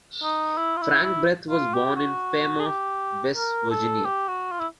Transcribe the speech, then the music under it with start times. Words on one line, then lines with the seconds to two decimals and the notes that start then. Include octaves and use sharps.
Frank Breth was born in Fairmont, West Virginia.
0.23 D#4
0.57 E4
0.77 F4
0.81 E4
1.04 E4
1.50 F4
1.74 G4
1.96 F#4
2.60 G#4
2.66 G4
3.36 A#4
3.71 A4
4.05 G4
4.28 F#4
4.52 F4
4.59 E4